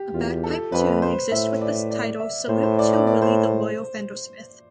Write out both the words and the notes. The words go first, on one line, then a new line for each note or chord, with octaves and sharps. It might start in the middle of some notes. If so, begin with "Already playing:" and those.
A bagpipe tune exists with the title "Salute to Willie the Royal Fendersmith".
Already playing: G4
E2 F4
A4
F2 B4
C5
A2 E5
D5
D5
E5
A2 C5
C5
D5
D5
D5
C5